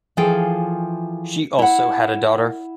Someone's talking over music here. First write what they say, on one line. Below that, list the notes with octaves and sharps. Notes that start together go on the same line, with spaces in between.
She also had a daughter.
E3 F3 F4 G#4 A4 G5
E4 F#5